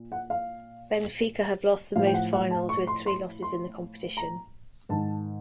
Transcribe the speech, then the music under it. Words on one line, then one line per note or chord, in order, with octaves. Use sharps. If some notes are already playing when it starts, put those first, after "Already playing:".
Benfica have lost the most finals, with three losses in the competition.
Already playing: A#2
F#5
F5
A2 F3 F5
G5
F#5
F#5
A5
C#6
C6
C6
C6
A#5
G#2 D#3 A5